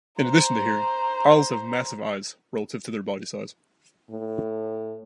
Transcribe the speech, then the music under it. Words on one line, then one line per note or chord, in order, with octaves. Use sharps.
In addition to hearing, owls have massive eyes relative to their body size.
C5 A#5
A2